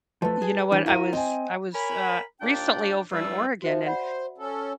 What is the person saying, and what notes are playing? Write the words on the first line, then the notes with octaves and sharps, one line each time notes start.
you know what? I was I was, uh, recently over in Oregon and,
F3 A3 B4 A5
G#4
E3 D4
E4 F#4 A#4 F5 D#7
C4 D#5 G5 G#5
A#4 C#5 G#5 B5
D#2 A#2 D4 D5 G5
G2 E3 G3 A3 F4 E6
F3 F#4 C5 E5
C5 D5 F#5 B5
C#4 A4